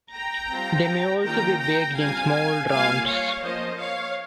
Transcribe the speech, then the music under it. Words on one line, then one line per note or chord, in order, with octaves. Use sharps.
They may also be baked in small rounds.
G5 A#5
G3 C4 F4
D#3 A#3 C#4 F4 G5 A#5
G5 A#5
G3 C4 F4 F5 G#5
G3 A#3 F4 F5 G#5
C#5 F5
F3 A#3 C#4 F4 C5 D#5
C#5 F5